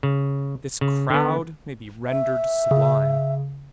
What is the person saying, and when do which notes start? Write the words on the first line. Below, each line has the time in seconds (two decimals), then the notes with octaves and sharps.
This crowd may be rendered sublime.
0.03 C#3
0.81 C#3
1.10 D3 B3
2.06 E5
2.71 C#3